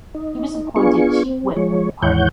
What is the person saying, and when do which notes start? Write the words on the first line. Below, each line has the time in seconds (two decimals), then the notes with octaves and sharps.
He was appointed chief whip of the party.
0.14 D#4
0.76 B3 D4 F4 G#4 C#6
1.23 C4
1.56 F3 G#3 C#5
2.02 D#2 G#2 E3 C#5 F#5 G6